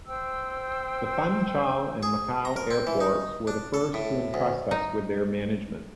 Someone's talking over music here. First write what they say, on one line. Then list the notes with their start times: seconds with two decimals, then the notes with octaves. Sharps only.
The Funchal and Macau airports were the first to entrust us with their management.
0.07 C5 G5 E6
2.03 G#4
2.45 A#5
2.56 A#4
2.71 C4
2.87 E3
3.00 D#4
3.47 D4
3.74 A4
3.94 A2
4.34 D2
4.71 D#4